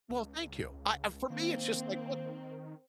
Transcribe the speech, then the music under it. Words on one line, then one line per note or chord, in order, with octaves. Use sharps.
Well, thank you. I, uh, for me, it's just like, look
C#2
D#3 A#3 C4